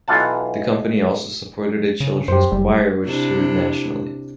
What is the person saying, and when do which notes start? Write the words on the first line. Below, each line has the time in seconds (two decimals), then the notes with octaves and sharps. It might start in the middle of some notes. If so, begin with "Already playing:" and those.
The company also supported a children's choir which toured nationally.
0.08 B1 E3 F4 F#5 A5
2.00 C#3
2.28 F#2 G4 C5
2.52 F#1 G3
3.05 C3 D4 E4